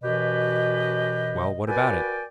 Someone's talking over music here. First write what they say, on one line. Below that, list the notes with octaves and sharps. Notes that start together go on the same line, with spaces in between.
"Well--what about it?"
F#2 B2 E3 G4 B4 D#5
F#4 A#4 B4 D5 G5 G#5